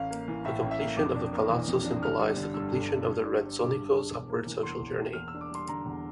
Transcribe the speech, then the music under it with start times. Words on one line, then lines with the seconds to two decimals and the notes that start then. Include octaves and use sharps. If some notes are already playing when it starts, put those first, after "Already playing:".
The completion of the palazzo symbolised the completion of the Rezzonico's upward social journey.
Already playing: A1 F5
0.11 A#3
0.28 E3
0.45 A2 E5
0.63 A1
0.71 E5
0.80 A#3
0.97 F2 D6
1.15 D4
1.33 A#3
1.50 E3
1.68 F2
1.84 D4
2.02 G1 F6
2.19 G3
2.37 D3
2.54 G2 E6
2.72 G1
2.90 G3
3.07 G2
3.24 D4
3.42 G3
3.59 D3 D6
3.77 G2
3.94 D4
4.11 E1
4.29 A#3
4.46 E3
4.63 E2 C6
4.81 E1
4.99 A#3
5.13 E2 F6
5.28 E6
5.34 D4
5.41 D6
5.51 G3 C6
5.69 D3 A#5
5.86 E2